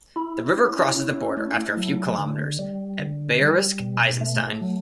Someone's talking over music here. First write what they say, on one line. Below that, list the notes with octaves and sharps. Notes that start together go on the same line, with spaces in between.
The river crosses the border after a few kilometres, at Bayerisch Eisenstein.
E4
C#4
E4
A3
F#3
D3
G3
D3
G3
B2
A3
F#3